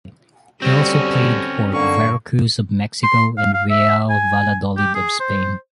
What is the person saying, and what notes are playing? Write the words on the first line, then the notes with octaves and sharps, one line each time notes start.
He has also played for Veracruz of Mexico and Real Valladolid of Spain.
D3 G3 C4 C#4 F#4
G2 D3 A#3 C#6
C6
F5
F5
E5
G#5
G4
G#4
C5